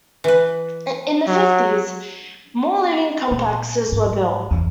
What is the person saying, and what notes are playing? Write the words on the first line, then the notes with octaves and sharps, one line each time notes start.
In the fifties, more living complexes were built.
E3 B4
F#3
A#2
G#2
G#1 E2